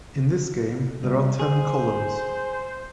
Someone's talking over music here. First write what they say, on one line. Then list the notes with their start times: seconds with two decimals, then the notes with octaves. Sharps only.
In this game, there are ten columns.
1.04 C2
1.39 G#4 C5